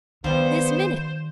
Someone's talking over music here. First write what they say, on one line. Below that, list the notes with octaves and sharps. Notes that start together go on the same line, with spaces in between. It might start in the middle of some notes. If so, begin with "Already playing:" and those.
This minute!
D#3 F3 G3 B3 C5